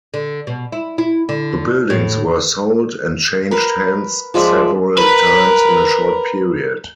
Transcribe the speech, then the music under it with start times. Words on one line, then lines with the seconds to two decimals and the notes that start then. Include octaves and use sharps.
The buildings were sold, and changed hands several times in a short period.
0.14 D3
0.47 B2
0.72 E4
0.98 E4
1.29 D3
1.90 A2
3.51 A#4 B4
4.34 F3 G#3 D5 E5
4.98 A#4 B4